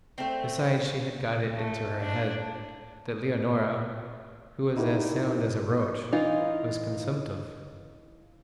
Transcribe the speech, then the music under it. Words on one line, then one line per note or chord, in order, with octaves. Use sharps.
Besides she had got it into her head that Leonora, who was as sound as a roach, was consumptive.
A3 C4
A3
D4
D#4 E4 F#4 G4 A#4 B4
E3 D#4 F4